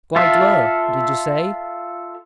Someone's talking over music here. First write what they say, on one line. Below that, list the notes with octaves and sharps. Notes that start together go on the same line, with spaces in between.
Quite well, did you say?
F4 A4 E5 F5